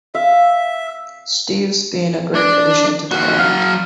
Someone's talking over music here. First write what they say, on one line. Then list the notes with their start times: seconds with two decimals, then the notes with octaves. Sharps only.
Steve's been a great addition to the band.
0.15 E5 F5
2.35 D4
3.12 D#2 F#4
3.39 F#3 F5